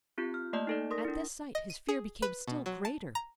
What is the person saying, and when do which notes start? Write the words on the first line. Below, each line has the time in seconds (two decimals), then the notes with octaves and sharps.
At this sight his fear became still greater.
0.18 C4 F4 G4 G6
0.34 F6
0.53 A3 A#3 D5 D#5 A5 G6
0.67 D#4 A4 D5
0.90 A#4 C6 D#6 A#6
1.05 D4 E4
1.55 D#5
1.70 D#7
1.88 G#4
2.22 B4
2.47 B2
2.66 F#3
2.85 A5
3.15 A#5